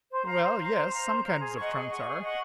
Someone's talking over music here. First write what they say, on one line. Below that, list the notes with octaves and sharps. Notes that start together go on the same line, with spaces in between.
"Well, yes--some kinds of trunks are."
C5
F5 A#5
C5
F5 A#5
C5
F5 A#5
C5
F5 A#5
G#4
D#5 F#5 C#6
G#4
D#5 F#5 C#6
G#4
D#5 F#5 C#6